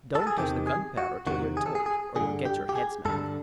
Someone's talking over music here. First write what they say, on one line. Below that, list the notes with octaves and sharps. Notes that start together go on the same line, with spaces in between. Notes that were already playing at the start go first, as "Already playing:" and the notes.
"Don't touch the gunpowder till you're told, or you'll get your head smacked."
A4
G#4
E2 C3 D#3 G4
G#4
F#4
E2 C3 D#3 F#4
G#4
A4
G#4
G#4
G2 D3 G#4
G4
G4
G#4
G2 D3 A4